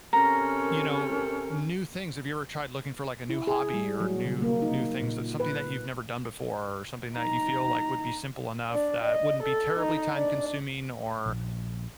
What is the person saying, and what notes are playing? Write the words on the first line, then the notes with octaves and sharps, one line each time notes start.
You know, new things, have you ever tried looking for, like, a new hobby, or new new things that's something that you've never done before, or something that you feel like would be simple enough, that wouldn't be terribly time-consuming or,
C3 C#4 A4 A#4 A#5
E4
G#4
G3
F#3
C#3
A#3
D#4
A#2
B4
D#4 A#5
D4
D#5
A4
D#4
D4
A#1